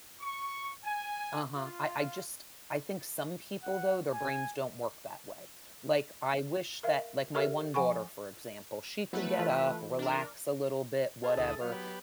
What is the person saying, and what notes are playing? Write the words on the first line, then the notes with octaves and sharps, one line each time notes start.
Uh-huh. I I just I think some people, though, their brains don't work that way. Like, I wish that, like, my one daughter, for example, she could get up, relax a little bit, whatever,
C#6
G#5
F4
F#5
G#5
A#4 E5 F5
G4 A4 A#4 C#5 E5
F3 F#5 G#5 B5 C#6
F#3 A3 B3 E4 B4
E3 F4 A4
D4 A#4
G#4 A4 C5 F5 G#5 A5
D2 E4 D#6
F#3 B3 F5
G4 B4